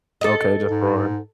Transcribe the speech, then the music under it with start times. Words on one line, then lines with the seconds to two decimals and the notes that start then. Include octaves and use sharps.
Okay, just roar.
0.21 A4 D#5
0.70 G#2